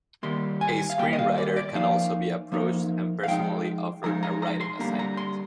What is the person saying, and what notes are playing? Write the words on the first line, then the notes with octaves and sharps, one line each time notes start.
A screenwriter can also be approached and personally offered a writing assignment.
D#3 G3 A#3 C6
G#5
F5
D#3 G3 A#3 G5
D#5
F5
D5
D5
F3 A#3 D#4 F5
F3 A#3 D#4
F5
F3 G#3 D#4 G5
F3 G#3 D#4 A#5
A#5
A#5
C6
D3 G3 A#3 A#5
A#5
C6